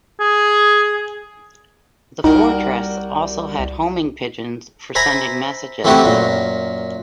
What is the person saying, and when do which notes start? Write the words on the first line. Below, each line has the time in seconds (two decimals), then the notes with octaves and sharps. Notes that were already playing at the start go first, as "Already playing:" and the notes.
The fortress also had homing pigeons for sending messages.
0.20 G#4
2.24 C2 G3 D#4 F#4 A#4
4.95 C5 E5 G#5 A#5 B5
5.84 E3 A3 C4 E4 F#4 G4
6.03 F#2 A#2